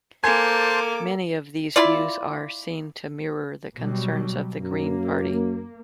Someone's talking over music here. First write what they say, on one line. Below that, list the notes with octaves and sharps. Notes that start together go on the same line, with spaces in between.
Many of these views are seen to mirror the concerns of the Green party.
A#3 A4 C5 G#5 A5 C6 D6
E4 F4 D5
B2 F#3 G3
F#2 A#3